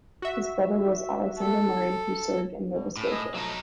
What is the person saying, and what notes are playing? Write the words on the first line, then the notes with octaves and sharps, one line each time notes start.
His brother was Alexander Murray who served in Nova Scotia.
F#4 E5
A4
E2 B2
A2 C#4
G#4 D#5
A2 F3 F#3 D#4